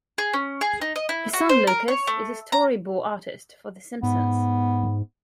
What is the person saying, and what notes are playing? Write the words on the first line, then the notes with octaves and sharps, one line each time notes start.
His son, Lucas, is a storyboard artist for The Simpsons.
G#4
C#4
G#4
D#4
D#5
E4
F#4
C5
A#4
C#5
A3
A#5
G#2 B3